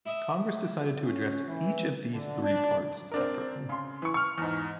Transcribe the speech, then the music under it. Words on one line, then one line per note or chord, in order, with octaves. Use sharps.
Congress decided to address each of these three parts separately.
E4 D#5 E5
C#4
E3
D3
D4
C4 D4 A#4
C#3 C6
E3 C#6
C#6 F6
E2 G#2